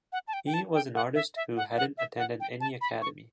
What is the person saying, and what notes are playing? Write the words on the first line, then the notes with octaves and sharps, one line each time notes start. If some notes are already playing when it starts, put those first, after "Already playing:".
He was an artist who hadn’t attended any academy.
F#5
A5
G5
G5
A5
G5
F#5
E5
E5
F#5
F#5
E5
F#5
G5
A5
B5
C#6